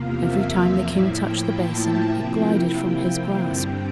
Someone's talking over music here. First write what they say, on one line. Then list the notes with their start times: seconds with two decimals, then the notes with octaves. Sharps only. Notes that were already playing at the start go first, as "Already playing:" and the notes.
Every time the King touched the basin it glided from his grasp.
Already playing: E2 C3 F3 A#3 F5
0.24 E5
0.87 A2 F3 A#3 E4 D5
1.19 G5
1.51 A5
2.14 C3 F3 A#3 E4 G5
3.40 G2 D3 G3 C4 G5